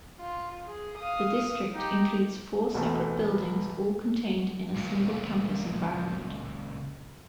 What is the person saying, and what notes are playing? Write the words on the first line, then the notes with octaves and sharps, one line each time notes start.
The district includes four separate buildings all contained in a single-campus environment.
F4
G#4
F5 D#6
D#4 G4
B1 E2 A3
C#2 A#2